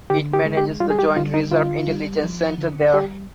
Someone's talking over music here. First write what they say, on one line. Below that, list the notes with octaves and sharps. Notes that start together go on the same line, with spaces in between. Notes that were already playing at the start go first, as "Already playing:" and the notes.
It manages the Joint Reserve Intelligence Center there.
D3 G4
G4
G#3
G4
G3 F4
G#4
G4
D3 F4
D#4
D3 F4
G3
F3
D3
G3 G4